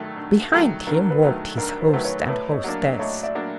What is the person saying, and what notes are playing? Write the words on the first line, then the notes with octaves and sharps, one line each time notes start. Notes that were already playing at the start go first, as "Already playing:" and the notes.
Behind him walked his host and hostess.
Already playing: G2 D#3 F#3 A3
G2
D#3 F#3 A3
G2 A#4
B4
D#3 F#3 A3
G2 A#4
B4
C5
D#3 F#3 A3 B4
B4 C#5
A2 B4 C#5
C#5 D#5
F#3 A#3 D4
A2 C#5 D#5
D5 E5
F#3 A#3 D4